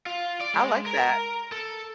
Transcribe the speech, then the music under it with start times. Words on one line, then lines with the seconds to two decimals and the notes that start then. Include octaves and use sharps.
I like that.
0.06 F4
0.41 D5
0.54 G#3
0.86 A#4
1.52 A4